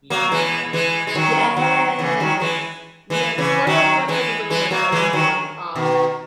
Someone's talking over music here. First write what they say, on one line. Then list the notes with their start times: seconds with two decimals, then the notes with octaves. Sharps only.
Yeah. Yes Yeah, Florida, Florida has a little bit of everything. Um,
0.10 F#3 A#3
0.32 E3 G#3
0.73 E3 G#3
1.07 G#3
1.15 D#3 F#3
1.56 D#3 F#3
1.99 C#3 E3
2.20 D#3 F#3
2.40 E3 G#3
3.10 E3 G#3
3.38 C#3 E3
3.67 D#3 F#3
4.08 E3 G#3
4.50 E3 G#3
4.71 F#3 A#3
4.92 E3 G#3
5.13 D#3 F#3
5.75 B2 D#3